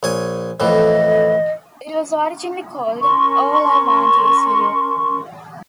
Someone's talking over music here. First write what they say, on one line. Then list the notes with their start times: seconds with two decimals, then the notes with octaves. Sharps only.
It was originally called "All I Want Is You".
0.03 A#1 C#5 G#5
0.60 F2 A2 E3 D#5
3.00 C#4 A#4 C6 C#6